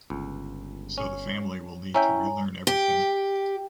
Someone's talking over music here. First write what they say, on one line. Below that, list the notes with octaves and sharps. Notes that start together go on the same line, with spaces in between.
So the family will need to relearn everything.
G1 C#2
C#4
C#4 E4 C#5 E5 G5 G#5 A#5
G4